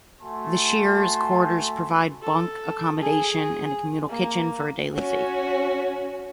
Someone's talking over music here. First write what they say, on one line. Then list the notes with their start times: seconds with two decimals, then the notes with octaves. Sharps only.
The shearers' quarters provide bunk accommodation, and a communal kitchen for a daily fee.
0.21 A3 F#4 G#5 A5 C6
2.22 A4
3.01 G#4
4.09 A#3
4.95 C#4 F#4